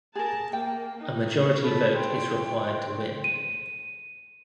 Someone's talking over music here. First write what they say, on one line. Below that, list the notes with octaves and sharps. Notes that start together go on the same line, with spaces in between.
A majority vote is required to win.
G#4 A#4 A5
A#3 G5
D#4
A4 B5
C#5 G5 C6
D#7